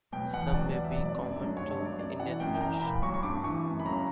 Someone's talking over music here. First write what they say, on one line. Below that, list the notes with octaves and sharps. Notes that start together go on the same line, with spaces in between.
Some may be common to Indian English.
B2 F#3 G5
E2 F#5
B2 F#3 D5
E2 D5
E5
B2 F#3 D5
D5
F#2
D3 F#3
G2 C#5
C#5
F#3
D5
F#2 D5
E3 F#5
F#2 G5
G5
E3 A#5
A#2 B5
F#3 C#6
C#6
G2 D6
E3 C#6
F#2
B5
C#3 F#3 A#5